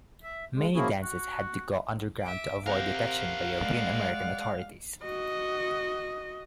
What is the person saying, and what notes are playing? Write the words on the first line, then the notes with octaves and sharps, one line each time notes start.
Many dances had to go underground to avoid detection by European-American authorities.
E5
C#3 G#3
F3 A#3 C#4 E4 F#4 G#4
F#4
E5 D6
C3 A#4 C5 F5 F#5
G#3 D5
F#4 D#5